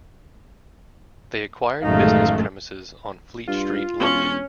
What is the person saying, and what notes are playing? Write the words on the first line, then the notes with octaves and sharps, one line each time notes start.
They acquired business premises on Fleet Street, London.
A1 F#2 D#3 G#3 A3 D#4 F5
G2 F4
E1 C#4 C#5